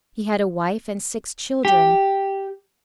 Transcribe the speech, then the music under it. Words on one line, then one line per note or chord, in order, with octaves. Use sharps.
He had a wife and six children.
G4